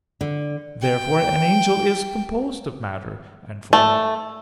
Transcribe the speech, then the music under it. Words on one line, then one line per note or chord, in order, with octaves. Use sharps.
Therefore an angel is composed of matter and form.
D3
G5
A3